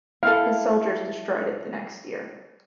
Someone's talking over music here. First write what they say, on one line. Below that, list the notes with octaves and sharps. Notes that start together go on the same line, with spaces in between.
His soldiers destroyed it the next year.
E4 A4 F5